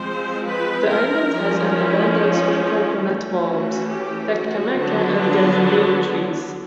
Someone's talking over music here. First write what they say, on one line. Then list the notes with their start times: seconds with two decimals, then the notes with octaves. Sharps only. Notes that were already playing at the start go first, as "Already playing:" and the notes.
The island has an abundance of coconut palms, "Takamaka" and "Casuarina" trees.
Already playing: F3 G#3 C4 C5
0.44 B4
0.88 A#4
1.30 F3 G#3 C#4
1.73 E4
2.15 D#4
3.02 E3 A3 C#4
3.45 F#4
3.87 G4
4.31 F#4
4.73 D3 F#3 B3 D4
5.16 F4
5.59 F#4